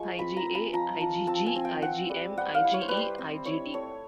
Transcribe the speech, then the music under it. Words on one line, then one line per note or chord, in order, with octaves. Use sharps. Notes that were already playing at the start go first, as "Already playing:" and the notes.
IgA, IgG, IgM, IgE, IgD.
Already playing: F3 G#3 C#6
C4 B5
A#5
C4
B5
F3 A#5
F3
C4 A5
G#5
C4
G5
C4 F#5
G3
G3 F#5
F5
E4
C#5
C5
G3 B4
C5
C4
E4 C#5
A3 C#5